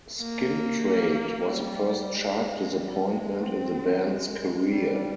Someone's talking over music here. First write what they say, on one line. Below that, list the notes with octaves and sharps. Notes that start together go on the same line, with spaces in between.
"Skin Trade" was the first chart disappointment in the band's career.
A#3
G3
G#3
G3
G#3
C4
G#3
G3